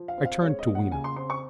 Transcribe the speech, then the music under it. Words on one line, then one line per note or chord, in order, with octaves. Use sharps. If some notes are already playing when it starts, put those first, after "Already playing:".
I turned to Weena.
Already playing: F3
F5
C4
F5
G#3 C#5
D#5
A#2
F#5
C#3 G#5
C6
C4 C6
C#6